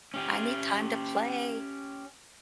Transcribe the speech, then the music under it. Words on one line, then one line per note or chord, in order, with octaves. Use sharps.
I need time to play."
C#4 G4